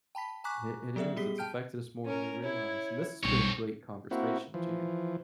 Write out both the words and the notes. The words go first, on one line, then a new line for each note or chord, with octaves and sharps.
It it is it's affected us more than we realize, and this has been a great conversation too.
G5 A5 B5 B6
G#5 A#5 C#6 D6 F#6 B6
F#3 B3 A4 D5 E5
G3 B3 G4 G#4 B6 G7
G5 A5 F6 G6 D7
C#4 A#4
E4 C#5
B1 G3 C4 C#5 C#6
A#3 C4 E4 F#4
E3 F3